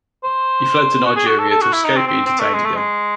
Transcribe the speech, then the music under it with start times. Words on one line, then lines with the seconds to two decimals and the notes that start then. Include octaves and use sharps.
He fled to Nigeria to escape being detained again.
0.24 C5
1.05 F#4
1.16 G#4
1.27 F#4
1.39 A4
1.50 A4
1.62 F#4
1.73 E4
1.84 D#4
1.96 C4
2.08 C4
2.26 C4
2.40 A3
2.53 G#3
2.65 A3
2.76 G#3